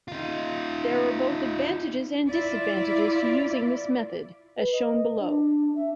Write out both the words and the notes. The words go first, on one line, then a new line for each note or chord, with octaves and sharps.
There are both advantages and disadvantages to using this method, as shown below.
D#4 F4
E4 F4 D5
B4
D#5
D4
E5